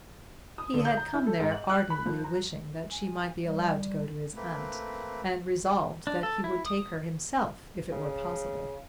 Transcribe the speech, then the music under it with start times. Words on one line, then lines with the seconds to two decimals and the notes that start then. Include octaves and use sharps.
He had come there ardently wishing that she might be allowed to go to his aunt, and resolved that he would take her himself if it were possible.
0.58 D#6
0.74 D3
0.85 G6
0.97 A#5
1.14 E4
1.26 A4
1.40 G#2
1.52 F#7
1.69 F#6
1.90 B5
2.06 F3
2.24 A#5
2.91 G#5
3.43 G3
4.35 A3 A#3 C4 B4
6.07 D4
6.23 A4
6.44 E4
6.66 D#6
7.92 C#3